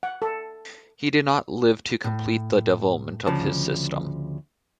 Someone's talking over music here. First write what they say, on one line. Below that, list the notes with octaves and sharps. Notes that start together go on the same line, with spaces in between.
He did not live to complete the development of his system.
F#5
A4
A2
D2 C#3 F3 A5